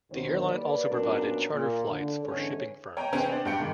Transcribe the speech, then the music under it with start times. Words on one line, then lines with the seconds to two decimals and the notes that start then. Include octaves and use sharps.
The airline also provided charter flights for shipping firms.
0.10 D#2 B2 D3 D#3 C5 C#5
0.50 G3 A#3 B4 C#5 D5
0.90 A#2 F#3 B3 C#4 D4 A#4
1.51 A#2
1.89 D3
2.24 E2 G#2 D3 C#4 A4 C#5
2.97 C#5 G5 G#5 A#5
3.13 C4 C#4 G#4 B4 G5 G#5
3.27 B3 C4 D4
3.45 G2 G5 C#7
3.59 G#2 D#3